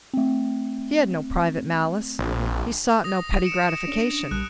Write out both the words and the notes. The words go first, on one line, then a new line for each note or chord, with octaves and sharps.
He had no private malice--he sought no petty gratification.
A3 C4
A#1
D#6 A#6
C#7 D7 E7
C#4 D4
A#1 G3 D#6 F#6